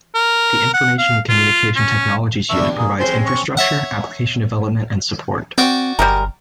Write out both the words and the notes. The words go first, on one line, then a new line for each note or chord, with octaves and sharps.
The Information and Communication Technologies Unit provides infrastructure, application development and support.
A#4
F#5
F5
F4
C#4
A#2 G3 D4 E5 C#6 E6
A#3 G#4
C3 G#3 C4 C#4 C5
C#6
C#5 E5 F#5
C4 F#4 D5 G5
G1 G3 G#3 A#4